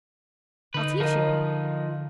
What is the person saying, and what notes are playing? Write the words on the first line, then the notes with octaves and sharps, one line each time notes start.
"I'll teach you."
D3 D#4 B4
F3 D#4 A#4 D#5